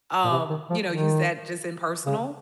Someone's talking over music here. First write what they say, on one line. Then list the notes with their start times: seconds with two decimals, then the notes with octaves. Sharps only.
um, you know, use that just in personal?
0.24 A#2
0.31 C3
0.50 D#3
0.70 F3
0.89 D#3
2.06 C#3